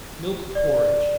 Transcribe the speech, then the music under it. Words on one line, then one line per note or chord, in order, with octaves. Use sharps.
Milk Porridge.
D5